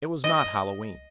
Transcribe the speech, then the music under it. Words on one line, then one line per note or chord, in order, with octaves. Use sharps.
It was not Halloween.
D#5